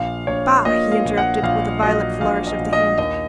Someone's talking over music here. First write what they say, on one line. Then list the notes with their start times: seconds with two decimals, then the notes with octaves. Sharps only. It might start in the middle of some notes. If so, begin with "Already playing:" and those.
"Bah!" he interrupted, with a violent flourish of the hand.
Already playing: A#1 F5
0.27 A#1 C#5
0.65 A#2 D#5
0.92 F5
1.05 A#1
1.17 F#5
1.43 A#1 F5
1.83 F#3 D#5
2.21 A#1 F5
2.47 D#5
2.59 A#1
2.73 D#5
2.98 D#2 D#5